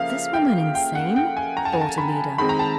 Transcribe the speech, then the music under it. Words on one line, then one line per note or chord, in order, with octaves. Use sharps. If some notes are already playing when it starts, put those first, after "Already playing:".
"Is this woman insane?" thought Alida.
Already playing: C#3 F3 A#3 E5 F5
G5
G5
F#5
G5
G#5
A#5
A5
G#5
A5
B5
D#3 G#3 C4 B5
A#5
A5